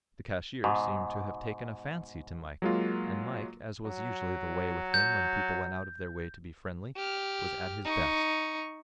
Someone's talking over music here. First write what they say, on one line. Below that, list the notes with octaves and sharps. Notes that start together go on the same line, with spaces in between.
The cashier seemed to have taken a fancy to Mike; and Mike, as was usually the way with him when people went out of their way to be friendly, was at his best.
G#2 B2
F#3 G#3 A#3 F4
F#3
G6
G4 F6
D#4 C#6